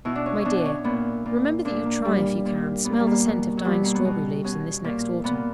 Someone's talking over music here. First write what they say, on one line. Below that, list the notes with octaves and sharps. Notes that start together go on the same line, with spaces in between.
My dear, remember that you try if you can smell the scent of dying strawberry-leaves in this next autumn.
B2 E4
D4
C#4
B2 C#4 D4
C#4
A#2 B3
A#2
A#2 D4
A#3
A#2 G3
A#2
A#2 B3
A#3
G3
A#3
B2
F#3
B2 G3
A#3
B3
B2
B2 C#4
A#2
A#2 B3